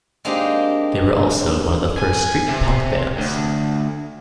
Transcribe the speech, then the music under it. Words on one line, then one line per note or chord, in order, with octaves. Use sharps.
They were also one of the first street punk bands.
G#3 A#3 C4 D4 D#4 G4
G#5
C3
D2